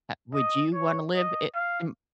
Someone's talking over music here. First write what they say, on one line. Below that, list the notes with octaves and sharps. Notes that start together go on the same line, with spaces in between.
Uh, would you wanna live i m
D#5
C#5
D#5
F5